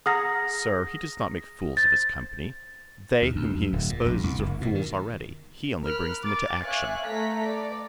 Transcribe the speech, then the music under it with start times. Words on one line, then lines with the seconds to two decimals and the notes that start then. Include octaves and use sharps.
Sir, he does not make fools of his company; they whom he exposes are fools already: he only brings them into action.'
0.06 G#4 F#5 A#5 D#6 F6 A#6
1.77 C5 A6
3.22 D#2
3.36 D2
3.56 F#2
3.73 D1
3.89 A#2
4.06 A#1
4.23 C2
4.39 F#1
4.61 B2
4.75 D#3
5.84 A#4 B5 F6 F#6
6.23 D6 A6
6.63 C#5 E5 F5 G#5 F#6
7.06 A3 A4 A#5 B6
7.44 D5